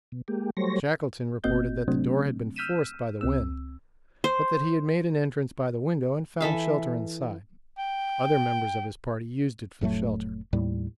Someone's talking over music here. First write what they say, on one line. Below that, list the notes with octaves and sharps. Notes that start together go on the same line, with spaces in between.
Shackleton reported that the door had been forced by the wind, but that he had made an entrance by the window and found shelter inside--other members of his party used it for shelter.
B2
G#3 A#3 G4
F#3 G3 A3 C5 C#5 A#6
G1 A#3 C4 F#4 D#5 G6
C3 F#3 A3 C4 D4
E6 F6 G6 B6 D#7 E7
C#2 C4 E6
C5
E3 A4 E5 F5
G5
F1 A2 F#3 A3
D#2 A2 G3